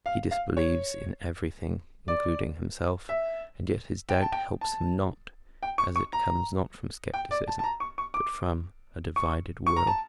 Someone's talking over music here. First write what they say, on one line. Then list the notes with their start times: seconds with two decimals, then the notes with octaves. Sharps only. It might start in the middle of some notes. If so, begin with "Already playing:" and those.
He disbelieves in everything, including himself, and yet his doubt helps him not, as it comes not from scepticism but from a divided will.
0.06 F5
0.31 F5
0.57 C#5
2.08 D5
3.09 E5
4.10 G5
4.22 A5
4.32 G5
4.61 A5
5.63 G5
5.78 C#6
5.96 C#6
6.13 A#5
7.14 G5
7.31 D5
7.48 A5
7.59 A5
7.64 A#5
7.80 C#6
7.98 C#6
8.14 D6
9.16 C#6
9.67 C#6
9.76 A#5
9.87 A5